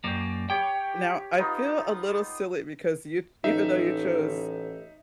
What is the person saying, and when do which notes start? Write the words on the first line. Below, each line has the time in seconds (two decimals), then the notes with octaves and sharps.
Now, I feel a little silly because you even though you chose
0.04 F#2 A#3 D5 G5
0.50 G4 C#5 G5 B5
1.39 B3 D#4 F4
3.44 A1 D#4 E5